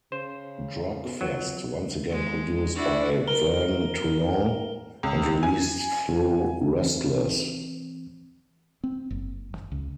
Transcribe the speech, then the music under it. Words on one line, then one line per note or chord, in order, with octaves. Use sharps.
Drug Fest, once again produced by Vern Toulon and released through Restless.
C#3 C5
B2
F2 F#3
G#3
D4 E4 F#4
A#4 G7
G7
C#2
G#5
E3 C4
C4
F#1
C#2